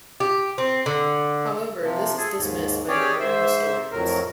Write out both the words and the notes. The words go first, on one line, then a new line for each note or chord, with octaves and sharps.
However, this is dismissed by modern historians.
G4
C4
D3
C3 F3
G#4 A4
D#2 G#2
C#4 G4 G#4 C#5 D5
G#2 C5 E5
F2 A2 F#3 A#4